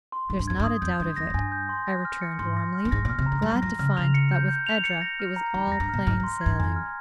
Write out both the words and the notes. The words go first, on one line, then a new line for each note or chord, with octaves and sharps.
"There's not a doubt of it!" I returned warmly, glad to find that with Edra it was all plain sailing.
C6
G#2 C6
G2
F2 G#6
G2
D#6
F2 G6
G2 C6
F2 A#6
G#2
G2 G#5
G6
C6
A#6
F6
C#7
G#2 C6
A#6
F6
G2
G#2 A#6
A#2
F6
C3
A#5
C#3
G#3 A#5
G3
F3 A#6
C#3 F6
C#3 F7
C#7
G6
G6
F7
C#7
A#6
F6
A#5
D#3 A#5
F2
A#6
G2
A#2 F6
G#2 F6
G#2
C6
G2 G#6
F2 G#5
F6